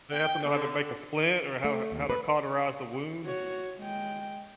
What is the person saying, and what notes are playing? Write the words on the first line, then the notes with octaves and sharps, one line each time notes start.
they have to know how to make a splint or how how to cauterize the wound.
G5
D3
A3
D#2
B4
F#4 C#5
G#3 G5